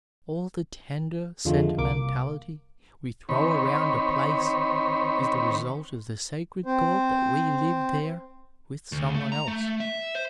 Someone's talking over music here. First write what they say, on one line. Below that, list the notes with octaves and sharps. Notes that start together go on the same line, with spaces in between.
All the tender sentimentality we throw around a place is the result of the sacred thought that we live there with some one else.
F2 D3 F3 G#3 A3
C2 A#3 D6
D#3 C4 C#5 B5
C4 C5
D2
A3
A#5
A3
E5
C5